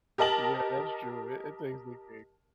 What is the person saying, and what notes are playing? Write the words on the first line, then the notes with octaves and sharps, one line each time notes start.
Yeah, that's true. It it takes the cake.
G4 A#4 D#5 A5 F#7